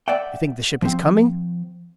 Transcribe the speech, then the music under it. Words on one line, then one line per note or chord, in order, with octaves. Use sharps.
"You think the ship is coming?"
D5 E5 F#5 G5
F3 C4